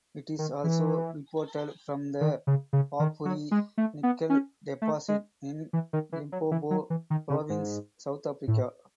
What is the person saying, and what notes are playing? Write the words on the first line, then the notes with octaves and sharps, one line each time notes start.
It is also reported from the Pafuri nickel deposit in Limpopo Province, South Africa.
D#3
E3
D#3
C#3
C#3
D#3
F#3
G#3
A3
B3
C#4
A3
G#3
E3
D#3
E3
F#3
E3
F#3
E3
D#3
C#3
G#2
A2